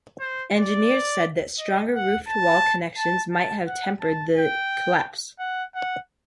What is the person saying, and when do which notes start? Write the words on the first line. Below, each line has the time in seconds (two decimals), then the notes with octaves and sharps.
Engineers said that stronger roof-to-wall connections might have tempered the collapse.
0.20 C5
0.55 D5
1.59 D#5
1.93 F#5
2.27 A5
2.97 A5
3.32 A5
3.67 F#5
4.01 A5
4.36 G5
5.39 F#5
5.74 F#5